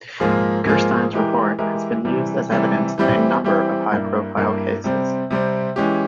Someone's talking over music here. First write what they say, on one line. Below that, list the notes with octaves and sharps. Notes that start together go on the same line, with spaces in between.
Gerstein's report has been used as evidence in a number of high-profile cases.
G#2 F3 A#3 F4 G#4
G#2 F3 A#3 F4 G#4
E3 G#3 E4 G4 A#4
E3 G#3 E4 G4 A#4
C3 E3 G3
C3 E3 G3
E3 G3 C4 E4 G4
E3 G3 C4 E4 G4
G2 G3 A#3 E4
G2 G3 A#3 E4
C3 G3 C4
C3 G3 C4
E3 G#3 C#4 G4